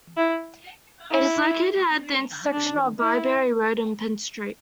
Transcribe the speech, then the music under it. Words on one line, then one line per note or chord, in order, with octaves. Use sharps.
It is located at the intersection of Byberry Road and Penn Street.
E4
E4
D4
E4